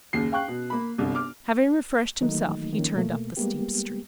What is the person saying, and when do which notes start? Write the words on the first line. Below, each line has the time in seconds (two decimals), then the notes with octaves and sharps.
Having refreshed himself he turned up the steep street.
0.13 F#1 D#2 C7
0.32 F5 G5 C#6 F#6
0.48 B2
0.70 A#3 B5
0.98 G1 C2
1.15 D6 F6
2.21 D#3 E3 F#3 A3 A#3 D#4
2.73 D#3 F3 A#3 C#4
2.96 B2 A3 A#3
3.37 G3 G#3 A#3 B3 G4